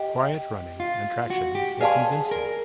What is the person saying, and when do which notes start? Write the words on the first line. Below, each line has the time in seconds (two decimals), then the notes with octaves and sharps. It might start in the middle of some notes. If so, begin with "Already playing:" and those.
Quiet running and traction were convincing.
Already playing: G4 D#5 G5
0.80 F4
1.30 F#4
1.55 G4
1.81 G#4 B4 D5 F5 A5 C6
2.31 A#4